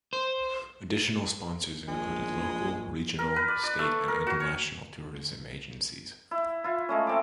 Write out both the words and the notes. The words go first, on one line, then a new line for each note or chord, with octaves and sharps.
Additional sponsors included local, regional, State and international tourism agencies.
C5
A#1 G#3
A#4
B4
D5
D5
A3
A#4
F#4
C#5
E4
E4 F4
G#3 A3 C#4
A3 C4 D6